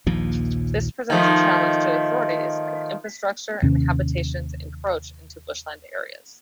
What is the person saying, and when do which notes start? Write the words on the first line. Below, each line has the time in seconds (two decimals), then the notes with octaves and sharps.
This presents a challenge to authorities as infrastructure and habitations encroach into bushland areas.
0.07 A#1 D#2 A#2 F3
1.10 D#3 F3 A3
3.62 D#2 C3 D#3 C#4